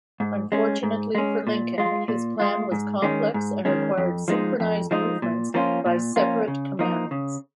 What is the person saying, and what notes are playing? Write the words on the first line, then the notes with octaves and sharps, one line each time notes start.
Unfortunately for Lincoln, his plan was complex and required synchronized movements by separate commands.
G#2
G#3 C#4
G#2
G#3 C#4
A#2
G#3 F4
A#2
G#3 F4
G#2
D#3 G#3 C#4
G#2
D#3 G#3 C#4
F2
F3 G#3 D#4
F2
F3 G#3 D#4
A#2
F3 A#3 C#4 F4
A#2
F3 A#3 C#4 F4
C#3
F3 A#3 D#4
C#3